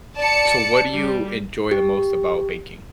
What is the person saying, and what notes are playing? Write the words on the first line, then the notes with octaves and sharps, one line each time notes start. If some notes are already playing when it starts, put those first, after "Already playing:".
So what do you enjoy the most about baking?
D5 A5 C#7
G3
G4